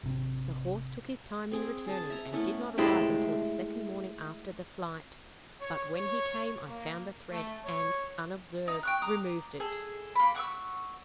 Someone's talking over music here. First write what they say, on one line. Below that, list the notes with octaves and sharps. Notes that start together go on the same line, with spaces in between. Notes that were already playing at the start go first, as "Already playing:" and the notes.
The horse took his time in returning, and did not arrive until the second morning after the flight, but when he came I found the thread, and, unobserved, removed it.
G#1 C3
C4 G#4
G#4 A5
E5 A#5
A3 B3 C#4 E4
G#3 A3 E4 G4
C#5
C#5
A#3
A3
C#5
D#4
G5 C#6 F#6
A#5 D6 D#6
G#4 A4
A#3 B5
F#5 C#6 D6 E6